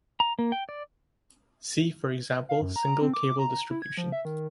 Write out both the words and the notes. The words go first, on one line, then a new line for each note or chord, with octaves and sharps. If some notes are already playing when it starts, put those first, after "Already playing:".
See, for example, single cable distribution.
A#5
A#3
G5
D5
F5
F#2
A#5
C4
D6
A#5
E4
G#6
F3
E5
D#3